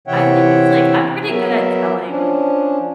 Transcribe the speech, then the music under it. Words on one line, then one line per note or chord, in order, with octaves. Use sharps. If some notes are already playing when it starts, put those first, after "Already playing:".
I think it's, like I'm pretty good at telling,
C3 E3 C#5 E5 F#5 G5
F#3 B3 A#4 E5
F3 C#4 D4